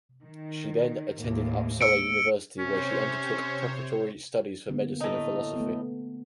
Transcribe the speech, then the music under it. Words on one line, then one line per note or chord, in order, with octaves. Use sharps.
She then attended Uppsala University where she undertook preparatory studies for medicine and philosophy.
D#3
D#2 A2 A#3
E6 C#7 D7
C3 C#4 C5 C#5
D3 A#3 B3
A2 D#4
A3 B3